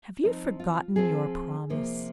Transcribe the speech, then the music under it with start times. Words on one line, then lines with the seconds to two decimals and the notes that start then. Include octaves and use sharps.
Have you forgotten your promise?
0.24 F3 C4 D#4
0.60 F4
0.96 F3 C4 G#4
1.70 C3 F3 A#3